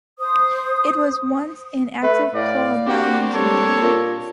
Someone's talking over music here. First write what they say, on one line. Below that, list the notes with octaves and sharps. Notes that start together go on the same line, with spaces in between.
It was once an active coal mining community.
C5 D#6
A3 B4
A2 D5 F5
A#3 C4 D4 F#4 G4
G3 G4 A4 C#5
A#2